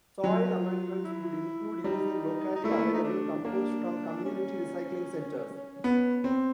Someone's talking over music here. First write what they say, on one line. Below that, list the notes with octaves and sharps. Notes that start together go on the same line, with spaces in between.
Soil amendments would include using locally available compost from community recycling centers.
F#3 F4
F4
E4
G3 D#4
D#4
A3 E4
A#3
A3
D#4
D4
A#3 D4
C#4
B3
C4